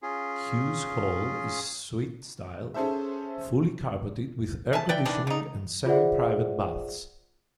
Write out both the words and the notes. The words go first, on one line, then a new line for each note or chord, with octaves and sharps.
Hughes Hall is suite style, fully carpeted with air conditioning and semi-private baths.
C#4 F4 G#4
C#4 G#4 A4 C5 E5
E5 G#5 A5
B4 D5 E5 G5
D#3 E3 D4
D3 D#4
F4 G#4 C5 D5 E5 F#5